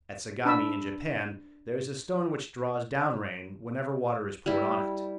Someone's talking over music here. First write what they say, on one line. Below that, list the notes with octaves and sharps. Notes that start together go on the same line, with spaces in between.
At Sagami in Japan there is a stone which draws down rain whenever water is poured on it.
D4 A5 B5 E6
G3 E4